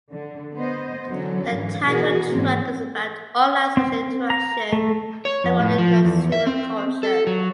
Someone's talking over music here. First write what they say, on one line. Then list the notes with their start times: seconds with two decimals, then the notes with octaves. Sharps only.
The title track is about online social interaction and modern consumer culture.
0.12 D3
0.56 B3 C5 D#5
1.07 E2 D3 F#3 C#4
1.55 G#2 E3
1.86 B2 E3 F#4 G#4 A#4
2.29 G#2 E3 A#3 C4 C#4
3.77 C4
4.30 A#5
4.73 A3
5.25 C#5
5.44 F2
5.59 A2
5.78 F3
6.05 E2
6.32 E5
6.47 C4
7.03 A4
7.27 F#3